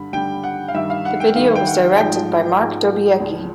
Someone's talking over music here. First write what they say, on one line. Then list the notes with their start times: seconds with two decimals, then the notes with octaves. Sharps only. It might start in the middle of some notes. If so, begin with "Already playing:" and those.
The video was directed by Marc Dobiecki.
Already playing: G2 D3 G3 B5
0.13 G2 D3 G3 G5
0.44 F#5
0.68 F5
0.74 G2 D#3 G3 E5
0.90 F5
1.05 F#5
1.20 G5
1.36 G2 D#3 G3 F5
1.55 G5
1.66 F#5
1.97 G#2 F3 G#3 G5
2.58 G#2 F3 G#3
3.20 C#2 C#3 F3